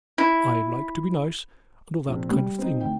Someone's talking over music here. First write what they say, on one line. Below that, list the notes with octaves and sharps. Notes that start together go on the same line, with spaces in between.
I like to be nice, and all that kind of thing.
E4
A#1 C3
G3
C4 D#4
D2 G5